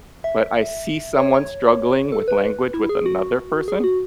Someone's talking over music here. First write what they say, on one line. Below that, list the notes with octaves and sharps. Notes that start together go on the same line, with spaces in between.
but I see someone struggling with language with another person,
E5
C#5
C#5
A4
B4
E4
G#4
F#4
G#4
F#4